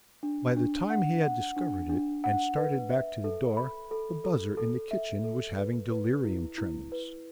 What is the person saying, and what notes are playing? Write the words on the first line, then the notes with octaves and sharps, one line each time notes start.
By the time he had discovered it and started back to the door, the buzzer in the kitchen was having delirium tremens.
D4
D4
F#5
F#5
D4
D4
F#5
B4
E5
A4
B5
A4
A4
A4
E5
A4
B4
B4
E4
E4
B4